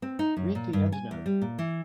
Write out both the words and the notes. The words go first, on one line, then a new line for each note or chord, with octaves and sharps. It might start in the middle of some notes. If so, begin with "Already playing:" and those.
Read the endnote.
C4
D#4
F#2
A#2
G2
G#5
E2
G3
A#2
E3